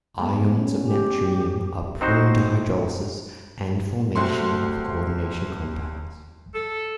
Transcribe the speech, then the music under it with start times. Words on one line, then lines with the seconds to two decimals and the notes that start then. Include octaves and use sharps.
Ions of neptunium are prone to hydrolysis and formation of coordination compounds.
0.19 G#3 B3
0.57 G3 C#4
0.85 G4
2.01 C4 D#4 F#4 C5
4.16 C2 A3 C4 F#4 C6
6.54 A4